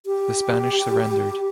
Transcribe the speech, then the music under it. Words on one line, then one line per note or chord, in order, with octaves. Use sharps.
The Spanish surrendered.
G4